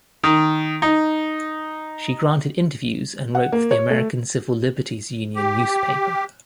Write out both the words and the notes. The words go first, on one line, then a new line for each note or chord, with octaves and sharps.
She granted interviews and wrote for the American Civil Liberties Union newspaper.
D#3
D#4
F#5
A#3
C#5
A3
G4